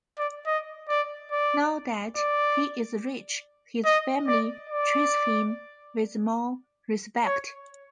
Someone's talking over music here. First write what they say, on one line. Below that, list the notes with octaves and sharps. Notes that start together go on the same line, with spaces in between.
Now that he is rich, his family treats him with more respect.
D5
D#5
D5
D5
D5
D#5
D5
D5
C#5